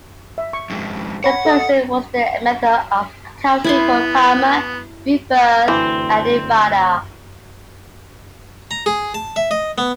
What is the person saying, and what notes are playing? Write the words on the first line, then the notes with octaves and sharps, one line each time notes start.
The "person" was their method of accounting for karma, rebirth, and nirvana.
E5
C#6
F2 G#2
C#5 F#5 B5
A4 D#5
B3 E4 G#5 C6
D2 E3 C4
A#5
G#4
A5
E5
D#5
B3